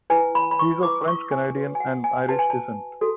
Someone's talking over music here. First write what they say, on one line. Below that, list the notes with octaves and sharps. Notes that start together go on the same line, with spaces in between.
He is of French-Canadian and Irish descent.
E4 B4 G#5
B5
B5
C#6
E4 B4 D6
C#6
G#5
F#4 B4
G#5
F#5
G#5
F#4 B4 A5
G#5
A5
F#4 A4